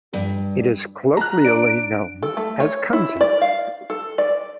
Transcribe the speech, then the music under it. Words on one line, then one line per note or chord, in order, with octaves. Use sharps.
It is colloquially known as "Kungsan".
G2
A#5 F#6
D4 D7
A4
A3
C#5
E4
D5
F5
A4
D5